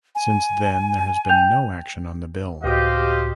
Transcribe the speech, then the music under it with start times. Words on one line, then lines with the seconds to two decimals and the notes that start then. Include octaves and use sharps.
Since then there has been no action on the bill.
0.15 G#5
1.29 G5 G6 F7
2.64 C#2 A2 F#4 G4 C5 D#5 F5